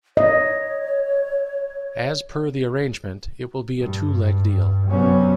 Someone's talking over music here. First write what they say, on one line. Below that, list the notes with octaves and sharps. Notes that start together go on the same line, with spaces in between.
As per the arrangement, it will be a two-leg deal.
C#5 D#5
G2
F#2 C3 F#3 G3 B3 C#4